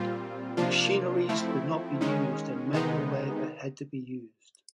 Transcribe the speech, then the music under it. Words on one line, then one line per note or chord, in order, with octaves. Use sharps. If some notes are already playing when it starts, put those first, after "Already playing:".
Machineries could not be used and manual labor had to be used.
Already playing: A#2 G3 C4 F4
C3 F3 A#3 D4 F4
F3 A3 C4 E4
D#3 G#3 C#4
C3 D#3 G#3 B3 D#4